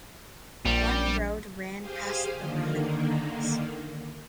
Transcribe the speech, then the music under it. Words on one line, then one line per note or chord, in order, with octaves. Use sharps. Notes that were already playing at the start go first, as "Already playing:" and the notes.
One road ran past the Roman lines.
A#1 G3
G4 G#4 C5 F5 G#5
D3 D#3 A#3